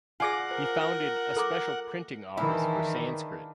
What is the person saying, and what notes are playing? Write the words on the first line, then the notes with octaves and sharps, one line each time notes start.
He founded a special printing office for Sanskrit.
F4 G#4 D5 F#5 G#5 D6 A#6
A#4 C5
A#6
A4 A#5 D6
D#3 E3 D4 E4 G#4 F5